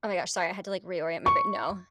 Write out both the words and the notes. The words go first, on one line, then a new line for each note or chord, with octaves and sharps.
Oh, my gosh, sorry. I had to, like, reorient my br No.
C#6